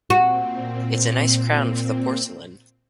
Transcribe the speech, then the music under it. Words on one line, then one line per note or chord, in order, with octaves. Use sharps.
It's a nice crown for the porcelain.
A#2 C4 F#4